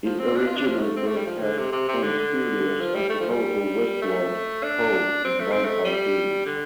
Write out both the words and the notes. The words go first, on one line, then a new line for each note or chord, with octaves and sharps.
It originally broadcast from studios at the Hotel Westward Ho in downtown Phoenix.
F3
C4
D4
F4
D4
F3
A3
C4
A3
G3
F3
D3
C3
C3
C3
D3
D3
F3
G3
A3
F3
G3
A3
D4
C4
A3
C4
A3
G3
D3